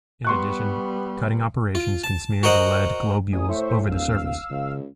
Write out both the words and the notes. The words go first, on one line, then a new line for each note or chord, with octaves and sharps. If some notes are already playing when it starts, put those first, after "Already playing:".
In addition, cutting operations can smear the lead globules over the surface.
G3 B3 C6 C#6 F#6
F4
A5
F#4 A#4 C5 D#5 F#5
A1 G#5 D#6
A2 C5 E5 C#6
D1 A#1 F5 E6
D#2
C#2 C#3